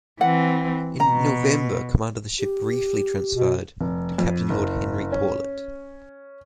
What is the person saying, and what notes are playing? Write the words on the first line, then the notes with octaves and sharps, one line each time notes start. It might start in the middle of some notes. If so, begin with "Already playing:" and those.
In November command of the ship briefly transferred to Captain Lord Henry Paulet.
E3 C4 F#5
B2 A#5
G4
B2
F1
F2
F#1
C#4